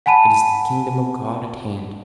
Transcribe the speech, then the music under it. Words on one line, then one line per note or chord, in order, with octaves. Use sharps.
It is the Kingdom of God at hand.
F#5 G#5 A5 B5 D#7